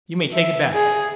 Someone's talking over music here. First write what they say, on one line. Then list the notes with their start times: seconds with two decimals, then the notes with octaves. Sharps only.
You may take it back!'
0.34 E5
0.74 G#4